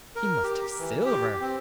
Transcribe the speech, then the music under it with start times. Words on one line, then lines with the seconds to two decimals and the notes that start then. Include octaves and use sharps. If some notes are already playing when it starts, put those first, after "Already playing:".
He must have silver.
0.16 A#4
0.44 G4
0.78 E3
1.05 G4
1.41 C4